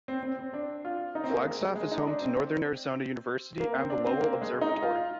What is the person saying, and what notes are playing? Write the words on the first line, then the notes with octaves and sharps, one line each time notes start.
Flagstaff is home to Northern Arizona University and the Lowell Observatory.
C4
C4
C4
D4
F4
D#4
C4
A#3
G#3
G#3
G#3
D#4
D4
C4
A#3
C4
D4
C4
A#3
G#3
D#4
F4